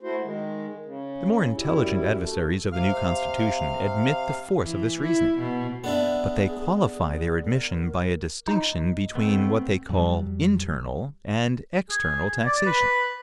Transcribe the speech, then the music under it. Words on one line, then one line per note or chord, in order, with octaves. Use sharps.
The more intelligent adversaries of the new Constitution admit the force of this reasoning; but they qualify their admission by a distinction between what they call INTERNAL and EXTERNAL taxation.
A3 E4 F#4 C5
D#3 G#3
C#3
F#2 G3 E4
A3
C3 F5 F6
E3
E4
B2
B3 D4 G#4 E5
A#4
D#4 D#5
A3 B3 C4
F2 F#3 G3
G#4
D5
B4